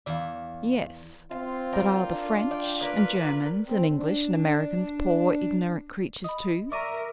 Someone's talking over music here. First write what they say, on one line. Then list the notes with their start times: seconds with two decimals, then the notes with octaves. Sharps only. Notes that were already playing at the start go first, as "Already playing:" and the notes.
Yes: but are the French and Germans and English and Americans poor ignorant creatures too?
0.06 E2 D5 E5 F5
1.31 C4 F4 F5
1.73 A#4 D5 G5
2.08 D4
2.51 D5 G5
2.81 A#3 A#4 B4 D5
3.68 C4
3.97 D4
6.24 D#5 B5 D#6
6.72 A#4 D5 E5 C#6 D6 D#7